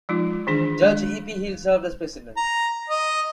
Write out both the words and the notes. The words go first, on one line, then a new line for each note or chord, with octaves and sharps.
Judge E. P. Hill served as president.
F3 G#3 D#4 F4
D#3 E3 D4 G#4 C5
G#3
A#5
D#5